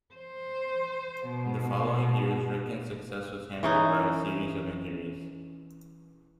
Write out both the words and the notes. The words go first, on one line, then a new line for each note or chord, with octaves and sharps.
In the following years, Ricken's success was hampered by a series of injuries.
C5
B2
E3 C#4 D#4